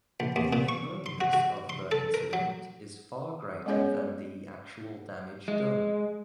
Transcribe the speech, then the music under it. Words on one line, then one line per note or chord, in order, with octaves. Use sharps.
The annoyingness of the incident is far greater than the actual damage done.
A#1
D#2
A#2
C#6
C6
F#4
F#4
C6
A4
A#4
F#3
G#3 B3 C#4 G#4 C#5 D#5
G#3